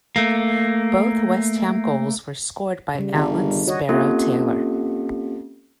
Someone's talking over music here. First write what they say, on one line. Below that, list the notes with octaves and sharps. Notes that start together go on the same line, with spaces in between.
Both West Ham goals were scored by Alan 'Sparrow' Taylor.
A3 A#3
C#3 G3
G1 D#3
F#4 C#5 D#5
A#3 C4 C#4 F4 G4 A4